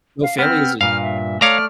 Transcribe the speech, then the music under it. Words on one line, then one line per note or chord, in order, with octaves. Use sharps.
no family is a
F5
B3 C4 F6
G2 A#2 F5 F6
E5
A3 C#5 D5 F5 A#5 F6